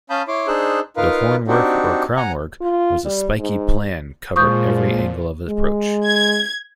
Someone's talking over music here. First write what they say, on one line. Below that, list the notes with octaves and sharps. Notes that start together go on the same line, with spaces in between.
The hornwork or crownwork was a spiky plan covered every angle of approach.
C#4 F5 A5 B5 D#6 G6
E4 C#5 C6 D6
D4 D#4 G#4 C5 E6 F#6
D#4 F4 A#4 B4 F5
C4 D4 D#4 F#4 G4
F#5 G#5 A#5
F4
G3
G#2
A#2 F3 G#3 C#6 D#6 G6
G#3
G#6